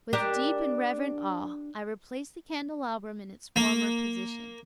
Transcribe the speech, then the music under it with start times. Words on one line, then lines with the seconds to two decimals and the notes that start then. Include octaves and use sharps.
With deep and reverent awe I replaced the candelabrum in its former position.
0.13 D4 G4 A#4
3.56 A#3